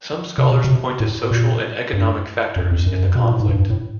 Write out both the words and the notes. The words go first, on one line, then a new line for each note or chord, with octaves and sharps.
Some scholars point to social and economic factors in the conflict.
C3
B2
C3
A2
A#2
G2
F#2
F2
F#2
B2
A#2
A2
G#2
G2
G2
A2